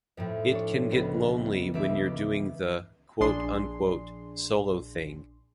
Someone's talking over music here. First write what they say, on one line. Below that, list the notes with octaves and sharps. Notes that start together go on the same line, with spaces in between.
It can get lonely when you're doing the - quote unquote - solo thing.
F2 A2
D4 C#5
C#2 B3
C#2 E3 E5 D6
A#1 D4 G#4 C6